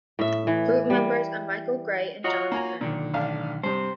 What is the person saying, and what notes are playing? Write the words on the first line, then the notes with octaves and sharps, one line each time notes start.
Group members are Michael Gray and Jon Pearn.
A2 E5
E3
G3
F4 F#4 C#5 D#5 A#5
A#3 G#5 A#5
B1 A#2 D3 D#3
A1 D4 F5
G2 C3 C4 C5